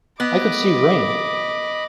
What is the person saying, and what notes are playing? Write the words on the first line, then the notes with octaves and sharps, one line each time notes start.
I could see rain.
B3 D#5 B5 D6